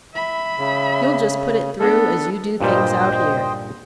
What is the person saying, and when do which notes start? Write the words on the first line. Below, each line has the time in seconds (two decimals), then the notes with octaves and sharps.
You'll just put it through, as you do things out here.
0.13 E5 B5
0.58 C#3
1.79 B3 D4 A4
2.61 G2 A#2 G3 C5 D#5 G5